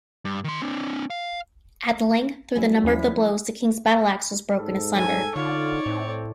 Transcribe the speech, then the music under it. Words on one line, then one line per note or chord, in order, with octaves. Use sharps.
At length through the number of the blows, the king's battle-axe was broken asunder.
G2
D#3 C6
C4 D4
F5
F#3 G3 B3 E4 G#5
D#2 F3 C#4 E4 B6
G#2 A4
F#3 G#5
D3 D#4 F4 C#5 D5
A2 C4